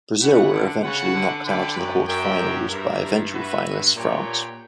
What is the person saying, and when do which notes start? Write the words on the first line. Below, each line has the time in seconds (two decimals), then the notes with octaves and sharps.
Brazil were eventually knocked out in the quarter-finals by eventual finalists France.
0.21 C#3 E4 G4 B4 F#5
0.52 D3
0.83 C#3 F#4 B4 F#5
1.14 D3
1.46 D3 E4 B4 D5 G5
1.77 F#2
2.08 F#2 D4 A#4 E5 G5
2.40 F#2
2.70 G2 D4 A#4 E5
2.90 F#2
3.01 G2
3.33 B3 F#4 B4 E5
3.64 G2
3.95 A#2 B3 D4 G4 C#5 G5